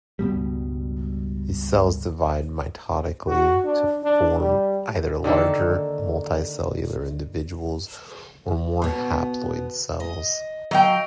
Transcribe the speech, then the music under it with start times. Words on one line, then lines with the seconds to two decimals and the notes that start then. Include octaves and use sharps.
These cells divide mitotically to form either larger, multicellular individuals, or more haploid cells.
0.19 C#2 G2 B2 G3
3.28 F#4
3.65 D4
4.04 D4
4.40 G3
5.24 D3 D#3 A#3 A4
8.82 B2 B3
10.00 D#5
10.71 F#3 D#5 F5 G5